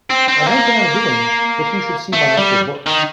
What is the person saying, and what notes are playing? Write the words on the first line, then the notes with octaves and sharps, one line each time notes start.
I had been unwilling that he should see my altered looks.
C4
C4
A#3
A3
G3
D#3